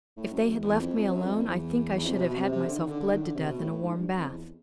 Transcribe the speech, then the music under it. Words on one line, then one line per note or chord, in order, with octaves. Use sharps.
If they had left me alone I think I should have had myself bled to death in a warm bath.
A2
F#2
E2
E2
F2
F2
F#2
F2
F2
E2
E2
F2
C3
B2
C3
C3
D3
D#3
D3
D3
D#3
D3
C3
B2
A2
A2
G#2
G2
F2
E2